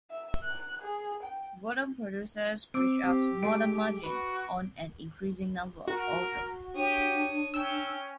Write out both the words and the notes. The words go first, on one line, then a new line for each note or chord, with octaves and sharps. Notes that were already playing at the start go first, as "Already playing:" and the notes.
Volume producers squeezed out smaller margins on an increasing number of autos.
E5
F#6
G#4
G5
C4 D6 E6 D7
C4 G4
G#3 A3 G#4 D7
F#4 B4
F#4 A#4
D4 G4 C#5 D#6
C#4 G5 E6